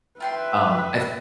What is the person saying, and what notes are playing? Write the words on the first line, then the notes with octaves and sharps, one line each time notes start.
Um, I th
F4 B4 E5 G5 C6